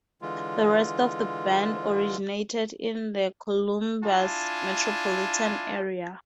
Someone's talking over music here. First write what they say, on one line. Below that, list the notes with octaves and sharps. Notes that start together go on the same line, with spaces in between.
The rest of the band originated in the Columbus metropolitan area.
D3 E3 G#3 F4
D4 E4 F4 G#5 A5